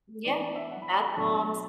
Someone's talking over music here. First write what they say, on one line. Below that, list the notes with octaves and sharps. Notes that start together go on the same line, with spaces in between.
Yeah, bath bombs
E3 B3 D4 D5
D5
E5
F#5
B5
A5
G5
B2 F#3 A3 D4 A5
B5
A5